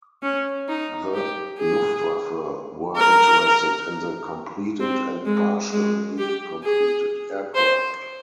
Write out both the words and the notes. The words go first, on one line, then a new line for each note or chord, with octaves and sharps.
The "Luftwaffe" were interested in the completed and partially completed aircraft.
C#4
D#4
G4
G#4
A#4
C4
G#3
G#3
G4
G#4
C5